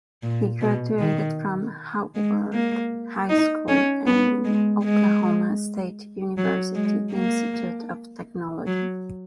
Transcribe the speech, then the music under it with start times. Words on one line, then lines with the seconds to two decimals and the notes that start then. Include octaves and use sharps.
He graduated from Haworth High School and Oklahoma State University Institute of Technology.
0.23 A#2
0.61 B2
0.99 D#3
2.15 G#3
2.53 A#3
3.29 D#4
3.68 C#4
4.07 B3
4.45 G#3
4.84 G#3
6.38 F#3
6.75 G#3
7.13 A#3
8.67 F#3